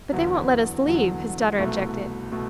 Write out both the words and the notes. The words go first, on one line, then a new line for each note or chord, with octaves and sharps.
"But they won't let us leave," his daughter objected.
E2 D3 F#3
E2 D3 F#3
C2 B2 A3
B2 A3